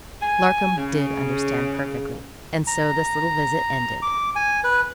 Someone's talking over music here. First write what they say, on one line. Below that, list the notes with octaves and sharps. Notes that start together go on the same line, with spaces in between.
Larcom did understand perfectly, and so this little visit ended.
G#5
C#3
A#5
D6
G#5
B4